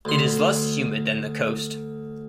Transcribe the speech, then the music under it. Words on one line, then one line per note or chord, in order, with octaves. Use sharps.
It is less humid than the coast.
D2 C6